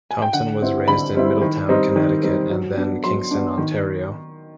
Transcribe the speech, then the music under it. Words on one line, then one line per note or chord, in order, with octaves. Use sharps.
Thompson was raised in Middletown, Connecticut and then Kingston, Ontario.
G#5
G5
D3 F#5
G3 C4 E4
D3 B5
G3 C4 E4
D#3
G3 C4 D#4
D#3
G3 C4 D#4
F#3
B3 D4
F#3 C6
B3 D4
D#3